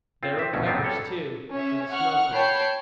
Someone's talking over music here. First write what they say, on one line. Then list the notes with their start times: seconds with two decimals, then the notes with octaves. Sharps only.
There were covers, too, for the smoke-holes.
0.23 C4 F4
0.39 C4 E5
0.53 A1 D2 G2 B2 C#4
0.66 F#3 B3 C4 D4 D#4 F4
0.83 G3 A4 C#5
1.52 C#4 E5
1.90 F#5 C#6 F6
2.32 C#5 G5 A5 B5 G6 C7